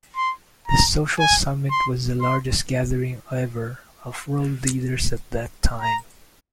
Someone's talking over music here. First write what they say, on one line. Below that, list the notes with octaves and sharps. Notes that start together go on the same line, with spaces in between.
The Social Summit was the largest gathering ever of world leaders at that time.
C6
A#5
G#5
C6
C6
A#5